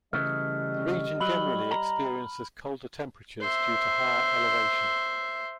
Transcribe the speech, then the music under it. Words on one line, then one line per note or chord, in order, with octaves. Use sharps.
The region generally experiences colder temperatures due to higher elevation.
C#3 E3 G3 A3 D#5 F6
F#3 B5 F#7 G7
A#5
C5 E5